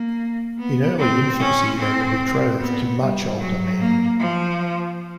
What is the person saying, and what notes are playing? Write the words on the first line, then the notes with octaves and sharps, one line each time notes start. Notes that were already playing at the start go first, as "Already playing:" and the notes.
In early infancy they were betrothed to much older men.
Already playing: A#3
B3
C4
C#4
C4
B3
G3
F#3
A#3
F3